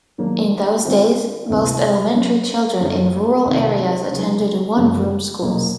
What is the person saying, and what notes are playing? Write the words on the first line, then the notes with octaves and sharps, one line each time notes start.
In those days, most elementary children in rural areas attended one-room schools.
D#3 F#3 A#3 D4
D3 G3 C4 F4
D2 C3 E3 G3 B3
F#3 A#3 C#4
F#2 D3 F#3 A3
C2 C3 D#3
C#3 F#3 B3 D#4 G#4
F#2 C#3 F3 G#3 C#4
E2 B2 F#3 A#3